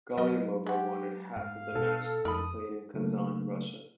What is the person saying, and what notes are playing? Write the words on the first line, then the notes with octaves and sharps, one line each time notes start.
Galliamova wanted half of the match to be played in Kazan, Russia.
F#3 A#4 D#5
G#3 G4 F#5
G#2 F5
B2 A4
F2 A#4 B5 D#6
C#3 F#3 A3 A#3